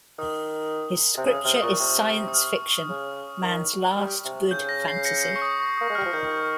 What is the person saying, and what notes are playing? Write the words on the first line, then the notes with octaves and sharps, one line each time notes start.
His scripture is Science Fiction, Man's last, good fantasy.
D#3 D#6
C3
C#3 D#6
C3 F6
D#6
A#2 C#6
C3 D#6
D#6
F6
C#3
D#3
G3
C3
C#3 G6
A#6
C7
A#6 C#7
A#6
C7
C#6
D#6
C#6
D#6
A#3
G#3
F6
G3
F3
D#3 G6
G6